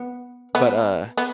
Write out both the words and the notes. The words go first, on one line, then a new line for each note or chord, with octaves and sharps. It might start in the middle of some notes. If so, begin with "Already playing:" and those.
But, uh,
Already playing: B3
B3
B3